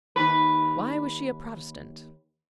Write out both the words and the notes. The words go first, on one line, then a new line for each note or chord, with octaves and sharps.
Why was she a Protestant?
D#2 B4